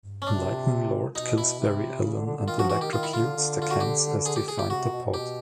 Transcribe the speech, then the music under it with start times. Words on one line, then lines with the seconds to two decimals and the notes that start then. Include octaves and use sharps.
Lightning Lord kills Barry Allen and electrocutes the Kents as they find the pod.
0.22 C#4
0.26 C3 D4
1.15 B2 D#4
1.38 E4
1.59 C3
2.03 C#3
2.15 D3
2.26 D3
2.37 D3
2.48 D#3 F4
2.59 F3 F#4
2.70 E3 F#4
2.81 D#3 G4
2.92 D#3 F4
3.03 E4
3.13 D3 F4
3.36 D3
3.62 F4
3.71 F#4
3.81 G4
4.26 G#4
4.36 G4
4.48 G#4
4.59 G4
4.70 C#3 F#4
4.80 C3
4.92 B2
5.03 B2
5.14 B2 G4